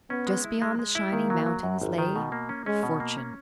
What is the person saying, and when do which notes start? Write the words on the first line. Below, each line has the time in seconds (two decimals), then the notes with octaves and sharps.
Just beyond the shining mountains lay--Fortune.
0.10 B3 C#4
0.27 G#3
0.44 E4
0.62 G#3
0.79 G#3
0.95 E4
1.12 D#3 A#3
1.30 F#3
1.46 F#3
1.63 F#2
1.82 G#1
1.98 D#3
2.16 B2
2.32 A#3
2.49 C#4
2.66 G#3 C#4
2.83 B2
3.00 A#3
3.17 C#4